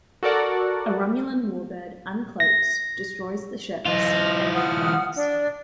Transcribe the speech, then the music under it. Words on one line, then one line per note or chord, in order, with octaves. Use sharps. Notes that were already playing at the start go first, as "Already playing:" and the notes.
A Romulan Warbird uncloaks, destroys the ships, and recloaks.
F#4 A4 A#4 D5 F#5
A#6
E3 F4 D#5
F#5 D#6 F6
D4